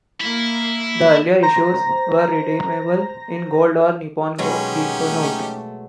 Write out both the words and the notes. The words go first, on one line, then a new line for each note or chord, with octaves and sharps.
The earlier issues were redeemable "in Gold or Nippon Ginko Note".
A#3 E4
C5 A#5 A#6
B2 F#3 G#3 C#4 D#4 G4
A3